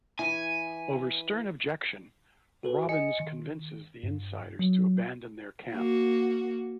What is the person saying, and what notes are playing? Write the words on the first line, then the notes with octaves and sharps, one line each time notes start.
Over stern objection, Robbins convinces the Insiders to abandon their camp.
E3 E4 G#5
F#4 A4 B4
D#5 G#5 C#7
D#3
G2
F#3
A#3 F#4